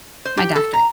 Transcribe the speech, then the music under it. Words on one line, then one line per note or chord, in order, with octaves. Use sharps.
my doctorate,
C5
G4
A4
A#5